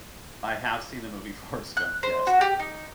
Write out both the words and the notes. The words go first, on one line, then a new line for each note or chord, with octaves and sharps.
I have seen the movie Forrest Gump. Yes.
F#6
C5
F#4
G4
D#4